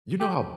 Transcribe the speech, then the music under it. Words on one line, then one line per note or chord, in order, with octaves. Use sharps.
You know how
G4